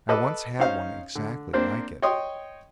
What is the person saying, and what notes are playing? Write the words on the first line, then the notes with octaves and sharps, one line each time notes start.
"I once had one exactly like it."
A4 B4 D#5 D6
C#4 D#4 C5 C#5 F5
D3
A#3 C4 D4 C5
C#5 D#5 G5 C6 D#6